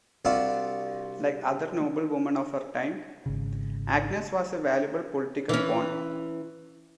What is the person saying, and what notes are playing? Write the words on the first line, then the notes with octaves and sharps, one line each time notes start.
Like other noble women of her time, Agnes was a valuable political pawn.
C2 D4 F4 F#4 E5
G#1 C#3
E3 C#4